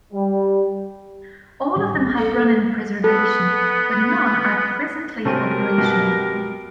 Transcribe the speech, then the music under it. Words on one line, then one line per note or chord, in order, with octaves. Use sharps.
All of them have run in preservation but none are presently operational.
G3
A2 D#3 G3
D#1 A#1 G3
A4
B3 A4
C3 A3 C4 C#4 F#4 G4 A#4 G#5
G2 B2 G#3 B3 C4